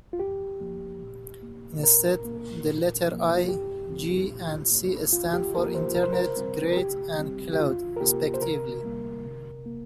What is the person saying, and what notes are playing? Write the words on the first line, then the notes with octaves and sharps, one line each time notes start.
Instead, the letters "i", "g" and "c" stand for "internet", "grid" and "cloud" respectively.
F4
F2 G4
F3 A#3
A#2
A#3
A#2 A#4
A#3
A#2
F3 A#3
F4
G2 G4
F3 C4
A#2
A#3
F2 F4
G4
F3 A#3 A#4
C5
C3 A#4
C5
A#4
G3 C4
A#4
C3 G4
G3 C4
G4
F2 F4
A#4
C3 A#3 G4
C5
C3 A#4
G3 A#3
C3
A#3